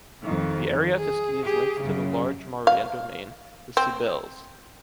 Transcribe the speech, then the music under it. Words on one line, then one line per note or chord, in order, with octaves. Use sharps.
The area to ski is linked to the large Maurienne domain, the Sybelles.
F2 D#3
G#4
G4 G#4
F#2 C#3
F5
C4